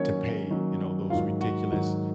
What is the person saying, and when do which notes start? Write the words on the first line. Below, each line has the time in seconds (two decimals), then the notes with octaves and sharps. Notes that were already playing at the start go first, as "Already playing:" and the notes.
to pay, you know, those ridiculous,
Already playing: D#3 F#3 A#3 C#4 C#5
0.51 D#3 F#3 A#3 C#4
1.10 G#2 D#3 F#3 F4 F5
1.41 F#4 F#5
1.71 G#2 D#3 F#3